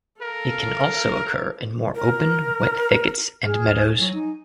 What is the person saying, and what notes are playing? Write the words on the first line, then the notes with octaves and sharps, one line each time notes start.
It can also occur in more open wet thickets and meadows.
A4 A#4 F5
A#4
G#4 F6
D2
F#3 G#5
D#4